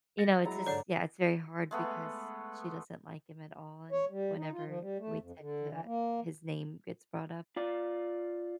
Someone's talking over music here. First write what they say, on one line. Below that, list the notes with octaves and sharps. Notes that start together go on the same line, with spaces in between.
you know, it's just, yeah, it's very hard because she doesn't like him at all, and whenever we tend to his name gets brought up,
A6 A#6 C#7
F#3 G#3 E4 A#5
G#2 D3 C#5 D5 F#5
G#3 A3 B3
C#5
G3
D#4
F4
F3
G3
A3
F2
D3
E3
A#3
F4 D5